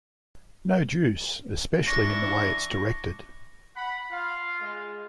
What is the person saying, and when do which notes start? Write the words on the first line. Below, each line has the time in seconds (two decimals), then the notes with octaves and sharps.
No juice, especially in the way it's directed.
1.88 E3 D4 C#6 A#6
3.76 F#5 B5
4.12 F4 F5
4.60 G#3